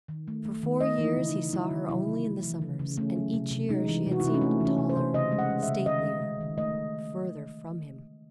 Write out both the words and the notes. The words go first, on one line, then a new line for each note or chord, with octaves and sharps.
For four years he saw her only in the summers, and each year she had seemed taller, statelier, further from him.
D#3
A3
A3
D#3
A3 D#5
E3 D#4
E4
C#3
D#4
C#3
F#3 E4
D#3
C3 E4
C3
A3
E3
C#3
C#3
A3 C#4
F#3
C3
C3
G#3 D#4
E3
C3
F#4
E4
C3 D#4
C#4
A3 C4
E3 C#4
C3
C5
C3
C#3 D#5
G#3
F#5
G#3
E5
C#3
D#3 D#5
G#3
G#3
D#3
A3 D#5